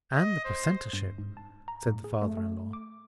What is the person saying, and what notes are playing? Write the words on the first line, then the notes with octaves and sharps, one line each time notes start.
"And the precentorship," said the father-in-law.
D#5
C5
G2
G#2
A5
A#5
A2
G#4
A3
A3
D6